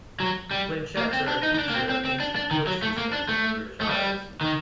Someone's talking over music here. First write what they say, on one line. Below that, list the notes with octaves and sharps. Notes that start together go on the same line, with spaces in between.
Lynchets are a feature of ancient field systems of the British Isles.
F#3
G3
A#3
C4
D4
D#4
D#4
D4
A#3
C4
C4
C4
D4
D4
D#3
F#3
A3
A#3
D4
A3
A3
G3
D#3